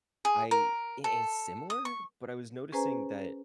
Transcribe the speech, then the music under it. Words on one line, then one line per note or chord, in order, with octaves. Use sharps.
I it it's similar, but I was noticing that
G#4
A#4
A4
D#6
C#6
C#4 G#4 B4 C5 G#5 A#5